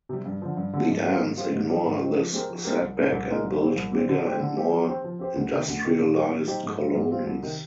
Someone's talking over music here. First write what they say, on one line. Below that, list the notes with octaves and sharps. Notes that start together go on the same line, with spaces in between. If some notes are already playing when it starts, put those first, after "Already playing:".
The ants ignore this setback and build bigger and more industrialized colonies.
C3 G3
G2
D3 F3
G2
D3 F3
G#2
G3 C4 F4
G#2
G3 C4 F4
G#2
G3 C4 D#4 G4
G#2
G3 C4 D#4 G4
F3
G#3 C4 G4 A#4
F3
G#3 C4 G4 A#4
C2
A#2 G#3 D#4 A#4
C2
A#2 G#3 D#4 A#4
C2
A#2 G3 C4
C2
A#2 G3 C4
D3
G3 C4 G4
D3
G3 C4 G4
F3
C4 G4 C5
F3
C4 G4 C5
D2
C3 D#3
D2
C3 D#3
A#2
G3 C4 D#4 G4
A#2
G3 C4 D#4 G4
G#2
G3 C4 F4
G#2
G3 C4 F4
C2
C3 D#3